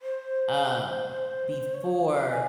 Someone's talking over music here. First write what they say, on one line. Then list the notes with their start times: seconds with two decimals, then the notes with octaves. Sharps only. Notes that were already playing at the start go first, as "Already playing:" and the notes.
Um, before
0.02 C5
1.74 C#5
2.31 G#5